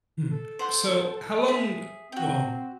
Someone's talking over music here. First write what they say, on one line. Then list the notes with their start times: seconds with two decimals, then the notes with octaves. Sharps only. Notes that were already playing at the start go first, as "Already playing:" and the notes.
Mm. So how long well,
0.32 A4
0.59 C5 F#5 C6
1.48 G#4 E5
2.12 C4 F#4 G5